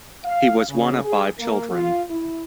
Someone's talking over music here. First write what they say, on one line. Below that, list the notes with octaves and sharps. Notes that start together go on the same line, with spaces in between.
He was one of five children.
F5
C#3
G#4
A#3
F4
E4